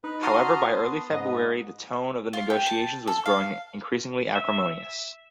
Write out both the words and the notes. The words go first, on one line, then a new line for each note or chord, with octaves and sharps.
However, by early February the tone of the negotiations was growing increasingly acrimonious.
D#4 B4
F#4 A5 A#5 C6 D#6 F6
B3
G#2 B3 D#5
F4
G4
A5
A4
F5
E5